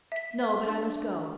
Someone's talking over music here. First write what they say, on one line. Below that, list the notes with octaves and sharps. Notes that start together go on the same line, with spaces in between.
"No, but I must go."
E5 B6
D4